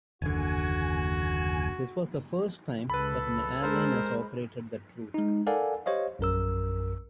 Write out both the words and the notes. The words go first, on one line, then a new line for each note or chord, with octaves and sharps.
This was the first time that an airline has operated that route.
F#1 D#2 D3 F#4 G#5
C#2 A4 B4 B5
G#3 A#4 C5
G#3 D#4
A4 A#4 D5 F5 F#5 G#5
G4 C5 C#5 D#5 F5
A#1 F#2 A#4 E6